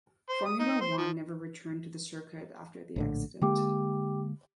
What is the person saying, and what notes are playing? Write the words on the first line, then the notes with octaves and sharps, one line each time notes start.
Formula One never returned to the circuit after the accident.
C5
D#6
D#4
C5
F3
A#1 A2 D3
D3 G#3 A#3 G4 G5 D6